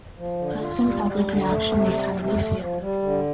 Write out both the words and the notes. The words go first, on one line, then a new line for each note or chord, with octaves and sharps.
Press and public reaction was highly favourable.
F3
D3
F4
G3
G3
D3
A3
C3
G3
C3
A3
F3
G3
D3